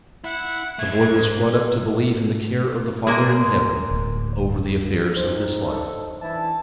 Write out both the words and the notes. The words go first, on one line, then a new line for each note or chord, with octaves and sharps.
The boy was brought up to believe in the care of the Father in Heaven over the affairs of this life.
E4 F#5
G#3 A3 G#6
G#2
G#3 A#3
D1
C2 D#4 C5
D#2 D4 A4
E3 D4 E4 A5